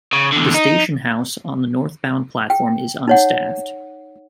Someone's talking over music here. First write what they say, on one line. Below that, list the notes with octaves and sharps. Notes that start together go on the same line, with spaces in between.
The station house on the northbound platform is unstaffed.
C#3
E2 D3
D#4
G5
D#4 C#5 F#5